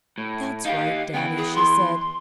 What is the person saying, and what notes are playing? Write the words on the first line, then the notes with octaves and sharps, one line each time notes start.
"That's right, daddy," she said.
A2
D#4 G4 F5
E3 B3 G5
G#4
C6